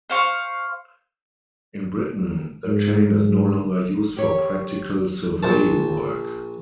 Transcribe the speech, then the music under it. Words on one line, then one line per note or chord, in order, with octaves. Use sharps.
In Britain, the chain is no longer used for practical survey work.
C5 F5 C#6
G#2
G4 C#5
A#1 C5 A5